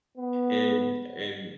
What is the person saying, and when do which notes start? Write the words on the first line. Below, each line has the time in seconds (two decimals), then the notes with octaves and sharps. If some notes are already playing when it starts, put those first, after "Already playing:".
and and,
0.17 B3